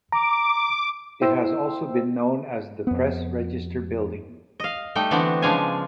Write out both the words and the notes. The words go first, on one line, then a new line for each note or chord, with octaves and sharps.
It has also been known as the Press Register Building.
A#5 D6
E4 C5 G5 C6 E6
F2 B3
D#5 F5
G3 A3 D#4 G5
D3 E3 B3 C4 D4 F#4
C#3 F3 G#3 D4 F5 G#5